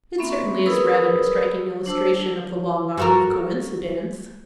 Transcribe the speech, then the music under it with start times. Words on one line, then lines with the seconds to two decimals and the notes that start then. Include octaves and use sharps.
"It certainly is rather a striking illustration of the long arm of coincidence."
0.18 A#3 C4 C#4 E5 B5 C#6
0.66 G#4 A#4 B4 B5 D#6 E6
1.86 D4 C5 A5 E6
2.97 F#4 A4 A#4